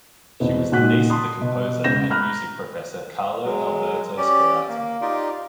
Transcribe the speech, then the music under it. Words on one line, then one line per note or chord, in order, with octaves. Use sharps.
She was the niece of the composer and music professor Carlo Alberto Sperati.
E2 B2 C4
A#2 D#4 F#4 F#5 F#6 B6
A5 C6 D#6
B2
E1 C#3 B3 G6 A#6 E7
A#5 B5 F6 F#6
F#3 G#3
C#4 G4 D5
A#3
D#4 F4 G4 D5